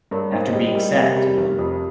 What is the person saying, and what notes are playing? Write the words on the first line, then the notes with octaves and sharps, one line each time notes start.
After being sacked, you know.
G2 A#4 C#5
G#2 C5 D#5
G3 D#5 G5
G3 G4 A#4
C3 G4 A#4
G3
F1
F2